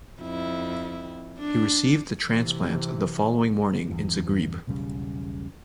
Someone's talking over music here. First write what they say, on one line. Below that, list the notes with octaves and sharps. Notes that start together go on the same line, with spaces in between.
He received the transplant the following morning in Zagreb.
F2 E4
D4
C3 E3
E2 G2
E1 B1 C#3 G3